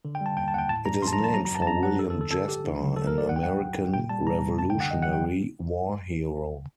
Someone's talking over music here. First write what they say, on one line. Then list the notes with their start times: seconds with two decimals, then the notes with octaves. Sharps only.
It is named for William Jasper, an American Revolutionary War hero.
0.05 D3
0.15 G5
0.21 G3 A5
0.37 D#2 G5
0.48 A5
0.53 D#2 F#5
0.58 G5
0.69 A2 A5
0.85 G3 A#5
1.02 A#1 C6
1.08 A5
1.13 A#5
1.19 A#1
1.24 A5
1.34 F#3 A#5
1.45 A#5
1.51 F#2 A5
1.62 A5
1.67 F#2 A#5
1.83 F#3 F#5
1.99 G2 A4
2.10 A4
2.15 D3
2.21 A4
2.31 G1 A4
2.48 G1 G4
2.65 D3
2.80 F#3
2.96 D2 A4
3.07 A#4
3.12 D2
3.18 D5
3.29 G2 F#5
3.36 G5
3.43 F#3 F#5
3.61 G1
3.77 G1
3.93 A#2 G5
4.09 G3 A5
4.26 C2 A#5
4.43 C2
4.59 F#2 A5
4.70 G5
4.75 D3
4.80 F#5
4.91 G1 D#5
5.02 F#5
5.07 F#3
5.13 G5